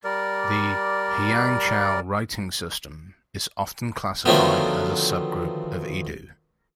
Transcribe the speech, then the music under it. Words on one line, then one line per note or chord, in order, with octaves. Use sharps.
The "hyangchal" writing system is often classified as a subgroup of Idu.
G3 A#4 D5
D3 D#3 F3 F#3 A3 B3